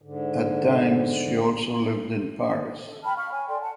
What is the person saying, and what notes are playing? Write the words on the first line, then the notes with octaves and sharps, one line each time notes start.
At times she also lived in Paris.
G#2 D3
A4
G5 A5 B5 F6
F5 B5 C#6 F6
C#5 G#5
A4 D5 G5 C6
F#5 A5